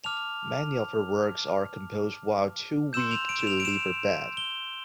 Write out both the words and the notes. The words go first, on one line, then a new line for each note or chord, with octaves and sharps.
Many of her works are composed while too weak to leave her bed.
A5 D6 F6 F7
C6 E6 G6 E7
F7
D7
E7
F7
D7
E7
G7